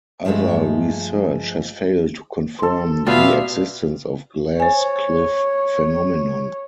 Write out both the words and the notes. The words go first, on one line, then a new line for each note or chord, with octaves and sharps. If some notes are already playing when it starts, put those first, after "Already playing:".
Other research has failed to confirm the existence of glass cliff phenomenon.
G2 F3 F#3 G#3 A3
A4 C6
B2 G3 B3 F4 E5 F5
C5 C#5 G#5